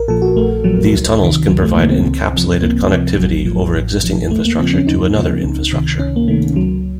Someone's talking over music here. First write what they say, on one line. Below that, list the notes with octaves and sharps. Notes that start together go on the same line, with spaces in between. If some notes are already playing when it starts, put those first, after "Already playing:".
These tunnels can provide encapsulated connectivity over existing infrastructure to another infrastructure.
Already playing: A#1 A#4
A#2 F3 A4
F#4
A#1 A3
A#2 F3 F#3
C#2
C3 D#3
C#2 F#3
A3
C3 D#3 A#3
C4
C#2
C3 F3
C#2 A#3
C3 F3
A1 F#3
A2 F3
A1
A2 F3
D#2 A3
A#3
C#3 F3 C4
C#4
D#2 D#4
C#3 F3
C#2
C3 D#3
C#2 C#4
A#3
C3 D#3 A3
C#2 F#3